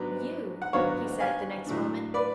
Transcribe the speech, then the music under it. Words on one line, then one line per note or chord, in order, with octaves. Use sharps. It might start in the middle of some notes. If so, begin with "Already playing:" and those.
"You?" he said, the next moment.
Already playing: G#2 F#3 B3 D4 B4
F#5
G#2 F#3 B3 D4 C#5 F5
F5 G#5
A2 F#3 A3 D4
B4 D5